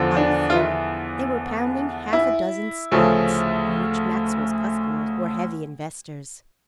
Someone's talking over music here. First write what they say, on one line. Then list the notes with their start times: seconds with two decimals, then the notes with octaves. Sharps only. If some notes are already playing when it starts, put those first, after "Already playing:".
On the floor they were pounding half a dozen stocks in which Maxwell's customers were heavy investors.
Already playing: E2 D3 F3
0.17 D4
0.50 F4
0.56 E4
2.13 E4
2.92 D2 C#3 F3 A3